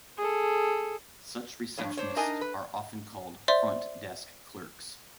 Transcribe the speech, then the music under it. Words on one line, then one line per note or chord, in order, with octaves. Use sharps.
Such receptionists are often called "front desk clerks".
G#4 A4
G2 F3 C#5
D4 C5 C#5
D4 D#4 A#4 D#5 G#5
B4
C5 D5 E5 C6